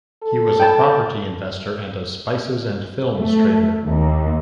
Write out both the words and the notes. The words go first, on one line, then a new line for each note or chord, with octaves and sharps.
He was a property investor and a spices and films trader.
A4
G5 A5
A3
D#2